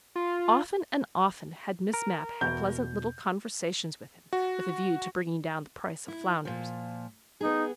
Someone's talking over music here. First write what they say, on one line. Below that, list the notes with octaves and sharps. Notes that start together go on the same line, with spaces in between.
Often and often had Miss Mapp had pleasant little conversations with him, with a view to bringing down the price of flounders.
F4
A#4
E2 B2 G6
F#4
E4
A#2 F3
B3 D#4 G#4